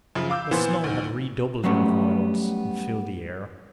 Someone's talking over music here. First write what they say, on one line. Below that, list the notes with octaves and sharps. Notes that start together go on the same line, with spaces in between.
The snow had redoubled in violence, and filled the air.
F#2 C#3 F3
F5 D6 E6 G6
A#2 E3 B3 C5
D2 D#3
F#3 G3 A3 B3 C#4